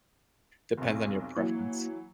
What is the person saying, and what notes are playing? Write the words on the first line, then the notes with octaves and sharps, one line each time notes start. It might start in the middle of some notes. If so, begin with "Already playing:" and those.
depends on your preference.
F1 B1
E3 F#3 A#3